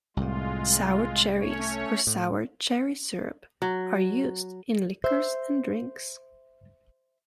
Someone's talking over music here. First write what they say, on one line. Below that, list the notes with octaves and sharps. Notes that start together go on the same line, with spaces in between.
Sour cherries or sour cherry syrup are used in liqueurs and drinks.
C2 A2 G#3 F4
A3 C#4 C#5
A2
F#3
C5 E5